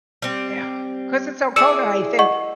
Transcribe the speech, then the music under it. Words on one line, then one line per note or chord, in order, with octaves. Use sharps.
ugh, 'cause it's so cold, and I think,
G3 C4
E4 G#4 D5 E6 C#7 E7
D#5 F#5 C#6